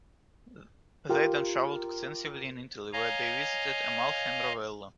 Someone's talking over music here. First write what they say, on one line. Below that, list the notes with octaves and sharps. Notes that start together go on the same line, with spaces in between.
They then traveled extensively in Italy where they visited Amalfi and Ravello.
F4 G4 A#4
C#5 D#5 F5 G#5 A#5